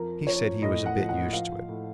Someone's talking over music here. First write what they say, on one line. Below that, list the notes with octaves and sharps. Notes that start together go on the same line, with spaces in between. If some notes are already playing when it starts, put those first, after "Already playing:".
He said he was a bit used to it.
Already playing: F2 F3 A#4
F3 C#5
A2 D#5
F#5
F3
F#5
F3 F5
A2